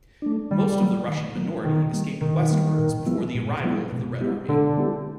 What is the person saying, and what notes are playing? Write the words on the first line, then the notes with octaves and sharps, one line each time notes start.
Most of the Russian minority escaped westwards before the arrival of the Red Army.
A3 D4
D#3 G3
F#3 A#3
D#3
F#3 A#3
B2 D#3
G3 A#3
B2 D#3
G3 A#3
A#2
F3 G#3 B3 E4
A#2
F3 G#3 B3 E4
B2
G#3 B3 E4 G4
B2 D3
G#3 B3 E4 G4